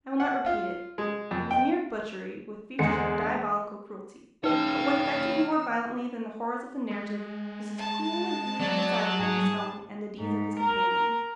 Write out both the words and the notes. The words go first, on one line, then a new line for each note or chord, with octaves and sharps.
I will not repeat it; it was mere butchery, with features of diabolic cruelty; but what affected me more violently than the horrors of the narrative was his cool and easy recital of his own and the deeds of his companions.
F#5
F4
G#3
F2
G5
E2 D3 G#3 G#4 C#7
C#3 E3 D#4 B4 C#5 G5 E6 F6
G#3
A5
F#3 D5
G#2 G#4
G#2
A#4